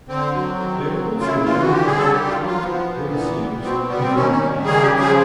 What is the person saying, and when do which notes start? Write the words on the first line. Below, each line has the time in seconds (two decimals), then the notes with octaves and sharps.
They are also known for their Atlantic grey seals and ruined castles.
0.08 D3 C4
0.33 F#3
0.59 D#3
0.84 F#3
1.09 C#3
1.20 F4
1.26 E4
1.35 E3
1.44 F4
1.60 D3 F#4
1.73 G4
1.86 G3 G#4
1.98 A4
2.12 D#3 G4
2.29 F4
2.38 F#3
2.46 F4
2.62 F3 B3
2.88 A#2
3.13 E3
3.39 G3
3.64 B2 C4
3.89 G3 B3
4.02 C4
4.15 D#3 C#4
4.32 C#4
4.40 G3
4.65 C#3 G#4
4.83 G4
4.91 F3
5.00 G#4